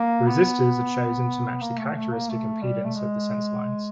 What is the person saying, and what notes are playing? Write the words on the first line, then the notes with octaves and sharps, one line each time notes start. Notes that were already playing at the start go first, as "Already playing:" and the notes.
The resistors are chosen to match the characteristic impedance of the sense lines.
Already playing: A#3
B3
A#3
A3
A3
A#3
A3
G3
A3
G#3